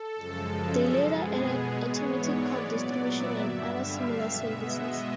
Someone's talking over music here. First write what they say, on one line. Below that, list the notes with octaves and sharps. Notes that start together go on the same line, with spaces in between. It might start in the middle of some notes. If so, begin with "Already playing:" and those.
They later added automatic call distribution and other similar services.
Already playing: A4
F#2 C#3 F3 G#3
B2 G#3 B3 G#4
G#2 E3 G#3 B3 C#5
D5
A#2 F#3 B3 D5
E5
G2 D3 G3
F5
B2 G#3 B3 E5
D#5